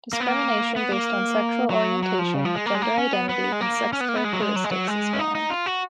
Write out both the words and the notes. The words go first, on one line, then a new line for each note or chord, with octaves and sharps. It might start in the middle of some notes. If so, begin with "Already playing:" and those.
Discrimination based on sexual orientation, gender identity and sex characteristics is banned.
A#3
B3
A#3
B3
A#3
F#3
F#3
F3
C#3
F3
G#3
A#3
G#3
A#3
C#4
B3
B3
G#3
A#3
C#4
B3
A#3
B3
G#3
F#3
G#3
F#3
G#3
F#3
G#3
C#4
D#4
D#4
F4
F#4